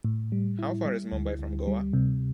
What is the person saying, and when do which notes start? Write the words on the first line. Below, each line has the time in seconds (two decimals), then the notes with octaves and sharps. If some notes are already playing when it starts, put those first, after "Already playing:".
How far is Mumbai from Goa?
0.05 A2
0.32 G3
0.59 E4
0.85 G3
1.12 D2
1.39 D2
1.67 G3
1.93 C3